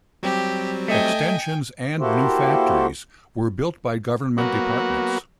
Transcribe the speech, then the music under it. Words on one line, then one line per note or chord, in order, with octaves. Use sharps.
Extensions and new factories were built by government departments.
F#3 G3 C4 G4
A3 D#5 G5 G#5
A#3 E4 F#4 G4 A4 C5
F#3 A#3 B3 F#4